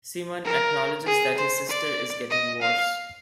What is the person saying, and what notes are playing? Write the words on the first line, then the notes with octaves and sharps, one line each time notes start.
Simon acknowledges that his sister is getting worse.
A#4
G#4
C5
D5
D#5
F5